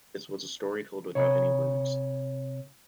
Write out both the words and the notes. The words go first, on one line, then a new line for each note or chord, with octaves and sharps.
This was a story told without any words.
C3 C#5